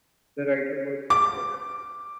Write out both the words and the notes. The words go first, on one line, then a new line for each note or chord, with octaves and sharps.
The writer was his brother.
D6